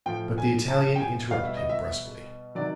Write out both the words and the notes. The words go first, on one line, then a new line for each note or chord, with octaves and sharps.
But the Italian interrupted him brusquely.
A2 F3 G5
G#5
A5
G5
G#5
B2 G3 F5
E5
D#5
E5
C3 D#3 F#3 D5